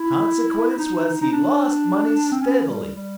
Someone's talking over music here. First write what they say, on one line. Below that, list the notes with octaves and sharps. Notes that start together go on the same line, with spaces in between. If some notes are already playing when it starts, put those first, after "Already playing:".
Consequence was he lost money steadily.
Already playing: E4
D#4
D#4
D4
C4
C#4
G3
G3